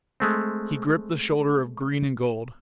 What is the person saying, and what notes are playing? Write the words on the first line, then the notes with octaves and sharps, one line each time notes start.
He gripped the shoulder of green and gold.
G#3 A3 C4